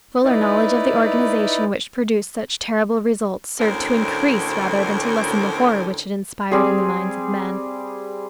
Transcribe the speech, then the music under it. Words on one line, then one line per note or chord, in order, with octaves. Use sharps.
Fuller knowledge of the organization which produced such terrible results served to increase rather than to lessen the horror which it inspired in the minds of men.
D#4 E4 B4 D5
D2 A2 D3 C4 C#4 A#4
G3 C4 G#4